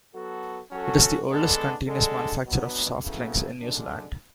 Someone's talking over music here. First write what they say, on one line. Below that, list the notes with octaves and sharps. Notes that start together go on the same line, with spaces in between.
It is the oldest continuous manufacturer of soft drinks in New Zealand.
F#3 B3 F#4 A4
F#3 C#4 F#4 A4
D3 G#3 B3 D4 A4
D3 G#3 D4 A4
B2 F#3 B3 D4
C#3 F#3 B3 E4 A4
F#2 D3 G#3 D4